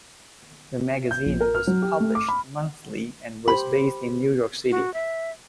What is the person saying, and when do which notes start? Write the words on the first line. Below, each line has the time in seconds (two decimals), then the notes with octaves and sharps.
The magazine was published monthly and was based in New York City.
1.11 G6
1.26 A#1
1.41 A#4
1.55 F6
1.67 F#3
1.82 G4
2.00 A3
2.15 D6
2.28 B5
3.48 G4 C5 B5
4.71 F#4
4.94 E5